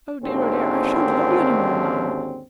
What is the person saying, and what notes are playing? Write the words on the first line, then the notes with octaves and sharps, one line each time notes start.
Oh dear, oh dear, I shan't love you any more, Nana.
G#1 D#2 D3 C4 C#4